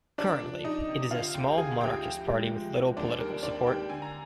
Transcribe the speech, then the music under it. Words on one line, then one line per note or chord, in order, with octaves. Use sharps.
Currently it is a small monarchist party with little political support.
D4 D5
F3
D4 D#4 D#5
C3
D3 F4 F5
D2 G4 G5
D3 G#4 G#5
D2 G4 G5
F3
G#3
F3
F3
D#2 D4 D5
G3 A#4
D#2 D4 D5
D#3 G4 G5
D3 G#5
A#5